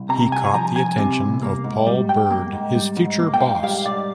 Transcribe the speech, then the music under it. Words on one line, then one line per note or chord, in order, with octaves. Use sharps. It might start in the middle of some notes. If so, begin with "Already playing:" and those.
He caught the attention of Paul Bird, his future boss.
Already playing: C2
C3 A#5
C2 G#5
F3 A#5
C2 G#5
C3
C2
A#3
G#2
G3
G#2 G5
A#3
G#2
G3
G#2
A#3
G5
G#2 F5
G3 F5
G#2 D5